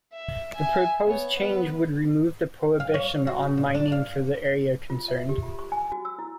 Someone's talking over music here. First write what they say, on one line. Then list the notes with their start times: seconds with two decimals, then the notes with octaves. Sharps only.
The proposed change would remove the prohibition on mining for the area concerned.
0.13 E5
0.54 E5 G#5
1.05 B3 C#5
1.38 B3 B4
2.80 F5
2.94 C#5
3.27 F#4
3.43 C#3
3.57 A#2
3.75 D4
3.92 F5
4.90 F4
5.08 E5
5.29 G4
5.43 F4
5.59 C#6
5.72 G#5
5.92 F#4
6.05 E6
6.19 E4